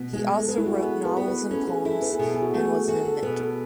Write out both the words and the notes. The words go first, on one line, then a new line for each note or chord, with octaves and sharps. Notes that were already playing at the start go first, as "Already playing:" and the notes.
He also wrote novels and poems and was an inventor.
Already playing: B2
G#3
A4
G#3 B4
E4
F#4
G#4
B3 A4
B4
B3
B4
C#4 A4
G#4
E4 A4
B4
G#4
B2 A4
G#4
F#4
A3
G#4
F#4 A4
A4
B2 B4
A4